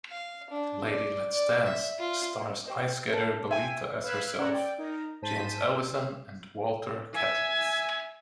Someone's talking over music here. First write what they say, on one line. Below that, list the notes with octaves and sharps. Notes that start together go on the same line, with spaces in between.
"Lady, Let's Dance" stars ice skater Belita as herself, James Ellison, and Walter Catlett.
F5
D4
D5
D5
E5
F4
G4 C5 D#5
A4 A#4 D#5
E5 G5 G#5
B4 F5 E6 F#6 G#6 B6
C#4 D5 F#5 A#5 E6 G#6
D5 G5
D#4 A#4
G#2 C5 A5 B6 D#7
E5 G#5